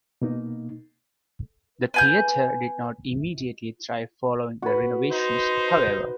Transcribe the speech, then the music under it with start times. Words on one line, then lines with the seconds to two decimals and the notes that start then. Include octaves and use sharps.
The Theatre did not immediately thrive following the renovations, however.
0.22 B2 A#3 D#4
1.94 B4 G#5 G6
4.62 F#4 B4
5.11 D#4 C5